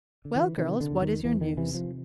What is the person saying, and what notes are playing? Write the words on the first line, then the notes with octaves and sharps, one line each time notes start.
"Well, girls, what is your news?"
D3
E3
C3 D#3
D3
E2
D#3
E2 E3
D#3
C3 E3
F3